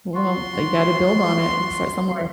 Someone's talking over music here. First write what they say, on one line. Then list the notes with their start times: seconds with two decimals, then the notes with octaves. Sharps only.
Well, you gotta build on it and start somewhere.
0.15 F4 F#4 C6